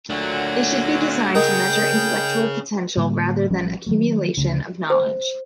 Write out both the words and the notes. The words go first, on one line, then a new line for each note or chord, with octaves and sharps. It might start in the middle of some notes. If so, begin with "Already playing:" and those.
They should be designed to measure intellectual potential rather than accumulation of knowledge.
A#2 F#3 A3 D4
C#4 G#4 A#4 D#5 G5 D#6
A2 D3 G3 A#3
A1 F3 G3 C#4
D#3 F#3 A3
D2 C#3
C5